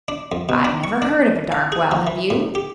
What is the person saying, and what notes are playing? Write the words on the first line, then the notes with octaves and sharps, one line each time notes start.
"I've never heard of a dark well; have you?"
D4
F2
B2
D4
C#6
D4
F5
G#4
F3
E3
A2
G4